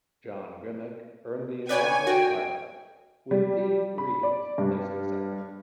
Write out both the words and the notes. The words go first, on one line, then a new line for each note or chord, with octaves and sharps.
John Grimek earned the inaugural title with Steve Reeves placing second.
B4 C#5 D5 G5 G#5
F#4 G5
G3
B5
D5
G2